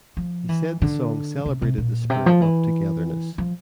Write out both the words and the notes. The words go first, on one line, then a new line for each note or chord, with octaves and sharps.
He said the song celebrated the spirit of togetherness.
F3
E3
D3
C3
C3
A#2
C3
F3
E3
F3